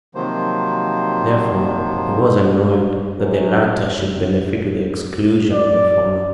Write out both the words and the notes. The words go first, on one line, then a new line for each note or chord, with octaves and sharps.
Therefore he was annoyed that the latter should benefit to the exclusion of the former.
C3 D#3 F3 F#3 A#3 C5
F#2
D5